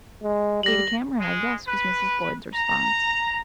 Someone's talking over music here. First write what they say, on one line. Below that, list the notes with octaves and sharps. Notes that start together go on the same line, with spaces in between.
"Ada Cameron, I guess," was Mrs. Boyd's response.
G#3
G3 A#6 F#7
G#3
B4
A#5